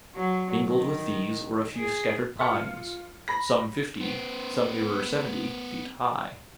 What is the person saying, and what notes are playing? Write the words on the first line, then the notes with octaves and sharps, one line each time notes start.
Mingled with these were a few scattered pines, some fifty, some nearer seventy, feet high.
F#3
D#3
G#4
E5 G#5 A5 F6 C#7
F4
A#5 B5 A#6
B3 C5